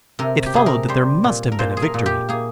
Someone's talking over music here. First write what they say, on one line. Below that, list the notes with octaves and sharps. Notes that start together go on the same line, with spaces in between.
It followed that there must have been a victory.
C3 A#4
G4
C3 G#4
A#4
G3 C5
A#2
A#4
A#2 C5
G#4
A#4
A#2
G4
A#3 G#4